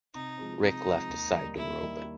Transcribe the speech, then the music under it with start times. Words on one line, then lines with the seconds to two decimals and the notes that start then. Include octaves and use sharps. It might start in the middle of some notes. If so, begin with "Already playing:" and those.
Rick left a side door open.
0.14 C3 D#4
0.38 F3 G#3 C4
0.61 C3 D#4
0.85 F3 G#3 C4
1.09 D#2
1.32 D#3 G3
1.55 D#2 E4
1.80 D#3 G3